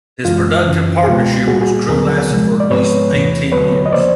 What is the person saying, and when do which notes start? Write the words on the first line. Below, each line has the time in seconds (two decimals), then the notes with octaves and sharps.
His productive partnership with Crewe lasted for at least eighteen years.
0.25 F#2 C#3 E3 G#3 F4
0.67 F#2 C#3 E3
1.04 G#4
1.07 C#2 B2 G#3 B3 F4 G4
1.48 A#2 G3 A#3 F#4 G#4
1.61 F#4 G#4
1.89 D#2 D3 F#3 B3 G#4 A#4
2.30 C2 C3 F3 G#3
2.60 D5
2.70 G#2 F3 G#3 B3 B4 C#5
3.12 E2 C3 E3 A3
3.52 D#2 D3 F#3 A3 B4 C#5
3.86 D#5
3.93 C#3 F3 A#3 C5 D5